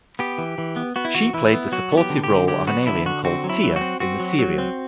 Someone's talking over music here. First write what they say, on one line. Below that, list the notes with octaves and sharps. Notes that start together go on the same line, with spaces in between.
She played the supportive role of an alien called "Tia" in the serial.
B3 G4
E3
E3
B3
B3 F#4
E4
E3 F#4
E3 E4
B3
F#3 F#4
B3
G4
D3
G4
D3
F#3 G4
B3 F#4
D3 E4
D3 F#4
C4 F#4
F#3
E4
F#3
F#4
C4
C4 F#4
F#3
F#3
C4